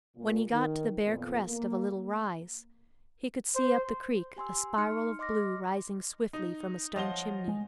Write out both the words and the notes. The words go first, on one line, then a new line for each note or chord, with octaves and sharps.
When he got to the bare crest of a little rise, he could see up the creek a spiral of blue rising swiftly from a stone chimney.
A#2
D#3
F2 A#2 B3
A#3
C5
G4 G#5 C6 E6
D#4 C6 F6 C#7
D#5 C6 D6 F6 A#6
D#4
F3 C#5 D#5 F#5 F7 G7
G#3